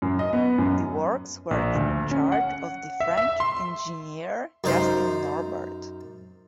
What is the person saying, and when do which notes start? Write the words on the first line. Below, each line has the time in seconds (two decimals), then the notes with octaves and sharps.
The works were in charge of the French engineer Justin Norbert.
0.02 F#2
0.19 D#5
0.33 B3
0.58 F#2
1.51 A#1
1.75 D2
2.11 C#4
2.32 F#5
3.00 E5
3.17 E5
3.40 C6
4.64 F#2 D#4 C5 F5